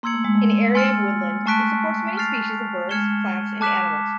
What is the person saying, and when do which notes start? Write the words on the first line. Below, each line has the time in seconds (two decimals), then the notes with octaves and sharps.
An area of woodland, it supports many species of birds, plants, and animals.
0.03 A#3 C6 E6 G#6 C#7 F#7
0.14 A3
0.24 G#3
0.35 A3
0.75 G#5 C6 F6 A6 C#7
1.46 A3 A5 C#6 F#6 B6 D7
2.17 F6 A6 C7 F7
2.89 G#3 F6 G#6 C#7 E7 G7
3.61 A5 D6 F#6 B6 E7